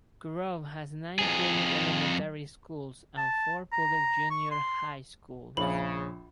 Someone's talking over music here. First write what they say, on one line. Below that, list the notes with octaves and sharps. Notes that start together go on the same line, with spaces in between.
Kurobe has nine public elementary schools and four public junior high schools.
F2 G#4
A5
A#5
C#6
C6
A#1 C#3 B5